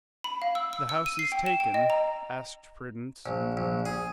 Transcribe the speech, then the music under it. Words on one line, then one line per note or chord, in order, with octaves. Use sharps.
"The house is taken?" asked Prudence.
B5
F5
E6
E6
E6
D#7
C7
G5
E7
G5
D#5
A#5
A#1
A#1
G#4